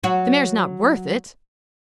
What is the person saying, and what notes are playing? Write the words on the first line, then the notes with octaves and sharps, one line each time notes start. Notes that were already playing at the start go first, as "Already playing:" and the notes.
The mare's not worth it.
F#3 F#4